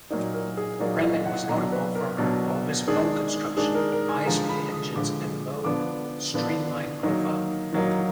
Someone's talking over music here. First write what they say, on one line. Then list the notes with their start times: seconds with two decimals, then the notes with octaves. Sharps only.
"Bremen" was notable for her bulbous bow construction, high-speed engines, and low, streamlined profile.
0.10 A#2 F#3 A#3 D#4 D5
0.34 A#4
0.57 G#4
0.79 A#2 F#3 A#3 D#4 D5
1.03 D#5
1.26 F#5
1.49 B2 F#3 D4 A#5
1.72 B4
1.95 A#4
2.18 B2 F#3 D4
2.88 D#3 G#3 D4 G#4
3.57 D#3 G#3 D4 G#4
3.75 A#4
3.92 A#4
4.09 G#5
4.26 D3 F3 G#3 A#5
4.49 B5
4.72 D#6
4.96 D3 F3 G#3 D6
5.64 D3 F3 B3 D4 D6
6.34 D3 F3 B3 D4
7.03 D#3 F#3 A#3 D#4
7.73 D#3 F#3 A#3 D#4